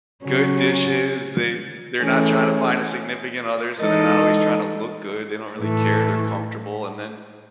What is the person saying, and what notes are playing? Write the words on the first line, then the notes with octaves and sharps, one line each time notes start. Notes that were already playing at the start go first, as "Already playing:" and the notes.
Good dishes, they they're not trying to find a significant other, so they're not always tryna look good, they don't really care, they're comfortable, and then,
C#3 F#3 C#4
E3 A3 C#4 G#4
E3 G#3 D#4 A4 D#5
A2 E3 A3